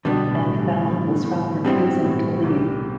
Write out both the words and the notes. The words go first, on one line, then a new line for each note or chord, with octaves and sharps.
Ed Fallon was found refusing to leave.
B1 B2 D3 G3 B3 D4
A2
G2
A2
A2
G2 B2 G3 C4 E4
A2
C2 C3